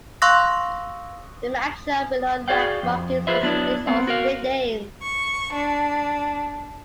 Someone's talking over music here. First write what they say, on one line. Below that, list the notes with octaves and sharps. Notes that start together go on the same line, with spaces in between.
The maps shown below lack markings for streets or street names.
F5 C6 C#6 E6 F#6 A#6
F#4 G#4 D5 F5 G5
F2
F4 G#4 B4 C5 E5
F#3 B3 D4 E4
B3 C4
F#4 A#4 F5
C#6
D4